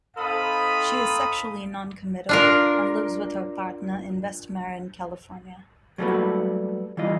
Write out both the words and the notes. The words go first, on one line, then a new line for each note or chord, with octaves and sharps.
She is sexually noncommittal, and lives with her partner in West Marin, California.
C4 D#4 A4 F5 B5 D#6
D4 F4 A#4
F#3 G3 A3 A#3 F#4 B4
E3 G3 F4 D#5